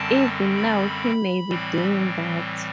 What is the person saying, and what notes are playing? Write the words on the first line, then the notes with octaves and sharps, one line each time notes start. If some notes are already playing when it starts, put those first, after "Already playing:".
Even now he may be doing that.
Already playing: F#2 D3 G3 C4 A5
B5
A2 E3 G3 C4